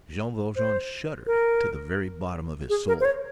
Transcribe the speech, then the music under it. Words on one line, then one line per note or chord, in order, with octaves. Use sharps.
Jean Valjean shuddered to the very bottom of his soul.
C5
A#4
G#4
A#4
C5
C#5